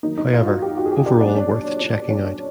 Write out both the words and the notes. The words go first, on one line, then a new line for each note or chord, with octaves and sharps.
However, overall worth checking out.
D#3 F#3 A#3 D#4
D#4
F4
F#4
G4
F#4
G#4
G4
D4
A#2 F#3 B3 D4
C#4
C#4
C#4
D4